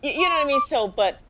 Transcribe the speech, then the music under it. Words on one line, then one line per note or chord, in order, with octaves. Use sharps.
Y you know what I mean? So but
C#6
D6